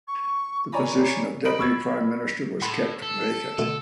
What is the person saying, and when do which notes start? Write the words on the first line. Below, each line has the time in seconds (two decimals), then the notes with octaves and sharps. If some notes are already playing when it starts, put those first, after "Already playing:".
The position of Deputy Prime Minister was kept vacant.
0.07 C#6
0.72 C#5 D5 G#5 A#5 B5
1.45 A#4 C5 D#5 B5 D7 F#7
1.58 B5 C#6 E6 G#6
2.62 A2 F#5 B5 C6
3.02 A4
3.58 B2 D3 A3